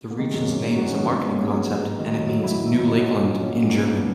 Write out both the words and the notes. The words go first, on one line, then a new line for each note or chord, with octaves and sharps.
The region's name is a marketing concept and it means "New Lakeland" in German.
A#3
D#3 G#3
G#3
F#2
A#3
F#3 C#4
F#2 D#4
F#4
D#3
C#4
F#2 B3
F#3 D#4
A#3
G#2 C#4
B3
G#2 G#4
F#3 G#4
F#3
G#2
D#3 F#4
F#2
F#3
F#2 E4
D#3
E4
F#2
E4
F#3 D#4
A#2
A#2
F#3 C#4
F#3
A#2
A#3
C#3 B3